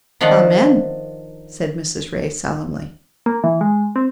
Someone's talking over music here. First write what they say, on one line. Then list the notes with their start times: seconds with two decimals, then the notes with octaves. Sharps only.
"Amen!" said Mrs. Ray, solemnly.
0.21 D#3 F3 D4 D#4 F#5
3.26 A#3
3.44 E3
3.61 G#3
3.96 C4